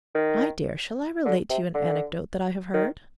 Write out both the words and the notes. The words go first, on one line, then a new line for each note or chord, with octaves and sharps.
"My dear, shall I relate to you an anecdote that I have heard?"
D#3
D3
C3
D3
D#3